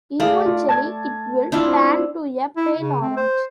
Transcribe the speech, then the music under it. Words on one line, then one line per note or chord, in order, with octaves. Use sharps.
Eventually it will turn to a pale orange.
A3 G#4 D5 F5
F4
A5 G#6
D4 E4 F4
C4
E4
C#3
C4
C5